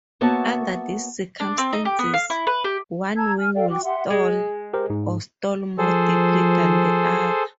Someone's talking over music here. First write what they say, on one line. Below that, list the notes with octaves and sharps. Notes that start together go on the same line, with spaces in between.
Under these circumstances, one wing will stall, or stall more deeply than the other.
A#3 B3 F#4 C#5 E5 A5
D4
C4
D#4
G4
B3
F5
E4
B4
G4
A5 A#5 E6 G#6
G#5 F6
A4 D5 F5 G5
F#4 G5 D6
G4 E5 F#5 C6
G#3
G4 A#4 C5
G#2
F3 G#4 A4 C5